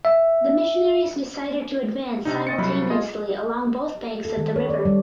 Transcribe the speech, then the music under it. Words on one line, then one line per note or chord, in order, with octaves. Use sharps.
The missionaries decided to advance simultaneously along both banks of the river.
E5
C3 D4 D#4
D#5 A6 C#7
C2 F#3 F#4 B5
F4 G#4 D#5
A4
D#3
C#5
D5
G3